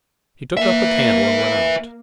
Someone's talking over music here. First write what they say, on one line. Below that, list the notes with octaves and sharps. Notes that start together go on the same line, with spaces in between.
He took up the candle and went out.
A#3 B4 E5